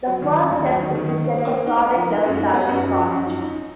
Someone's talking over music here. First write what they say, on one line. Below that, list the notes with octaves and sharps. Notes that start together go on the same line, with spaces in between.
The first step is to set a product-level target cost.
F#3
D#3
C#4
D#2
F#3
D#3
D#3
D#3
A#3
A#3
A#3
D#4
A#3
F3
D#4
F#2
D#4
B3
F#2
F#2
F3
F#2
D#4
D#4